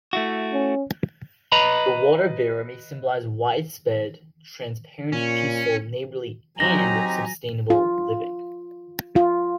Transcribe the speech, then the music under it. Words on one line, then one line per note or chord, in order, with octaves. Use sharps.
The water-bearer may symbolize widespread transparent, peaceful, neighborly, and sustainable living.
A3 E4 F#4
C#4
B4 D#5 A#5 B5
A#2 C#4
F#3 C4 D#4 G4 G#5 A#5 A#6
F4
F4